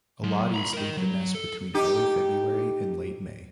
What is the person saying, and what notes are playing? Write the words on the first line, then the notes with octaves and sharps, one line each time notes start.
Alates leave the nest between early February and late May.
F#3 C6
A#5 B5
A#4 D#5
F#3
A4
D#4 G4